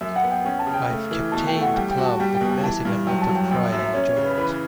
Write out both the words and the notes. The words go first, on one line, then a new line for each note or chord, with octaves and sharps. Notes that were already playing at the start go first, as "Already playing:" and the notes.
I've captained the club with massive amounts of pride and enjoyment.
F#2 E5
F#5
B3
G5
C#4 G5
A5
C#3
G5
A3
E3
B2 A5
G5
A3
F#5
G3 G5
G5
F#4
A5
G3 G5
G5
B2
G5
E3 A5
G2
F#3 G5
A5
F#3
G5
F#2 G5
E5
F#2
E5
C#4 C#5
C#5
C#3
B4
E3 B4